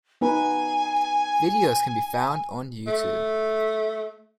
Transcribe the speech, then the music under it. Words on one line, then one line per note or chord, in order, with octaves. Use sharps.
Videos can be found on YouTube.
B3 D#4 B4 G#5
A3